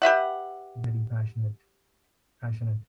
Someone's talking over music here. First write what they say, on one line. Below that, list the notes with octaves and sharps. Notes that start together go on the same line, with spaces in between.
Very passionate. Passionate.
G4 B4 E5 F#5